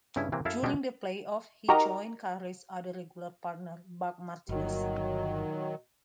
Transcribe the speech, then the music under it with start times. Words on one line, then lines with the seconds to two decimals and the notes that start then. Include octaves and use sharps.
During the playoffs, he joined Caray's other regular partner, Buck Martinez.
0.16 G2 C#3 C#4 E4
0.32 C3 E3 A#3 C4
0.45 F#2 E4 A4 F5 A5
0.63 B2 G3 G#3 D4 F#4 G4
1.68 D#4 F#4 G4 A#4 D#5 A#5
4.49 G1 A#2 D#3 F#3 F#4 D#5